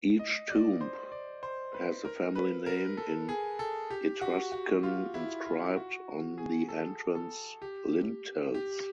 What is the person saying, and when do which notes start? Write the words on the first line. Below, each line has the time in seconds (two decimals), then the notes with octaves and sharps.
Each tomb has the family name in Etruscan inscribed on the entrance lintels.
0.19 D#5
0.50 D5
0.81 C5
1.12 D5
1.43 C5
1.74 B4
2.05 A#4
2.35 B4
2.66 A#4
2.97 A4
3.29 G#4
3.59 A4
3.90 G4
4.21 F#4
4.52 F#4
4.83 F4
5.14 E4
5.45 F4
5.76 F#4
6.38 G#4
6.69 A4
7.15 A4
7.62 G4
8.54 G4